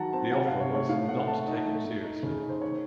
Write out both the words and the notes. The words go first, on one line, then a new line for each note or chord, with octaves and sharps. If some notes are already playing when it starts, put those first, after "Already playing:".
The offer was "not taken seriously".
Already playing: D#3 F#3 F#5 A5 A#5
C4 A5
C3 F#5
C3 F5
C#5
A3 C#5
A2 F5
A3 F#5
F#5
A3 A5
D#4
A3
A3
D#4
C#3
D#4
C5
D#3 C#5